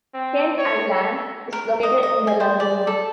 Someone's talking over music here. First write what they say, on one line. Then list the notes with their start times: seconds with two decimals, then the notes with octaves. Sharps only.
Kent Island is located in the lagoon.
0.14 C4
0.58 C#5
0.91 A4
1.53 A#4
1.83 D#5
2.03 D#5
2.27 G#5
2.40 C5
2.60 D5
2.87 A4